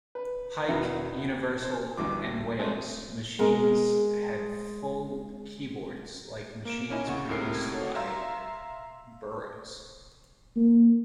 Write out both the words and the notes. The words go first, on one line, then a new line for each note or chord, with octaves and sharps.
Pike, Universal, and Wales machines had full keyboards like the machines produced by Burroughs.
B4
E2 B2 D#3 E3 E5 A#5
C5
A1 D2 G2 E3 D6
G#3 A3 C4 G#4
G#3 G#4 A#4
A#3 D7 E7
A#3 C#4 D#4 E4 D#5 G#5
D2 C#3 F#5 C#6
C#2 A2 C3 D#4 A#4 C7
D#4 F#4 A4 C#5
E5 F5 A#5 C6 E6
A#3